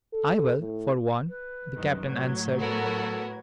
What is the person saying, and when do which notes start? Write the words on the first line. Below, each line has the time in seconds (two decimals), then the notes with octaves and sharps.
"I will, for one," the Captain answered.
0.13 A4
0.60 A2
1.29 B4
1.76 C2 F#2 D#3
2.09 A2 F#3 G#6
2.60 B3 F#4 A4 A#4